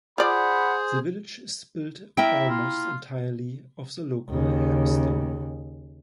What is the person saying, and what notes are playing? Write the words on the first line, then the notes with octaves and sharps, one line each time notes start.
The village is built almost entirely of the local hamstone.
F4 G#4 C5 D5 F#5 B5
A#3 E4 E5 G5
F4
D#2 C#3